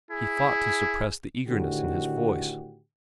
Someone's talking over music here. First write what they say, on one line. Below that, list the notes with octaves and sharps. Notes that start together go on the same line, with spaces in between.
He fought to suppress the eagerness in his voice.
E4 G#4
A2 D3 D#3 F#4 G4